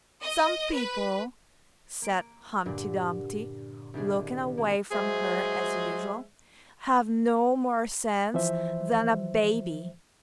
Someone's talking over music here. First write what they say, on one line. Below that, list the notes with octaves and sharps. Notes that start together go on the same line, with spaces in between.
'Some people,' said Humpty Dumpty, looking away from her as usual, 'have no more sense than a baby!'
D#5
B4
A#3 D7
G2 A#2 D3 D4
C2 D#3 D4 G#4
A#3
F#3 G#3 G#4 C5 E5
E3 F3 C5 E5